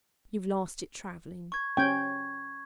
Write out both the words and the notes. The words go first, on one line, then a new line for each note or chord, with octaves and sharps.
"You've lost it travelling."
C#6 G#6
C#4 G5 C#6 G#6